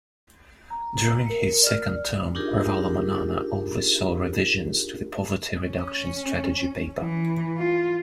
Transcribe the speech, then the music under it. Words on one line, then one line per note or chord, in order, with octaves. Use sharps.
During his second term, Ravalomanana oversaw revisions to the Poverty Reduction Strategy Paper.
A#5
A#4 C#7
D5 F6
D4 D#4 F4 G4 G#4 A#4
C#4
E3
F4